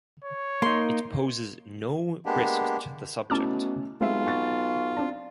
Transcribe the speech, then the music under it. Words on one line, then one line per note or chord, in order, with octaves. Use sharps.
It poses no risk to the subject.
C#5
A#3 D#4 C6
G#3 A#3 B3 D4 G4
B2 A3 C#4 E4 A5 D6 F6
B1 G#3 A3 C4 F4 E5
F#5 C#6 A6
C4 D4 D5 A5